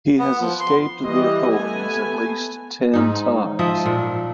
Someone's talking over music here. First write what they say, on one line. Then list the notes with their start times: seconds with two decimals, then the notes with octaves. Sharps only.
He has escaped the authorities at least ten times.
0.19 B3
0.41 F3
0.60 C6
1.05 E3 G3 G4 D#5
1.51 A3 B3 G#5
2.93 G#2 D#4
3.59 F3 D#5 E5
3.86 A#2